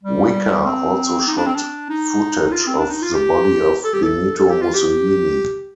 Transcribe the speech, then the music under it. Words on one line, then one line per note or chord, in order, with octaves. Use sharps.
Whicker also shot footage of the body of Benito Mussolini.
G3
C4
D#4
D4
C4
D4
D#4
F4
C4
D4
D#4
F4
G4
A4
G4
A4
A4
G4
F4
G4